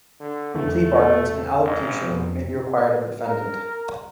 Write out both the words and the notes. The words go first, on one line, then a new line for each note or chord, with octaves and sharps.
In plea bargains, an allocution may be required of the defendant.
D3
E2 A3
G#1
F2
A#4